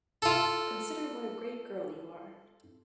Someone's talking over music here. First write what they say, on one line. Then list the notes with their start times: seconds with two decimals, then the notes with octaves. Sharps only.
Consider what a great girl you are.
0.22 F4 A4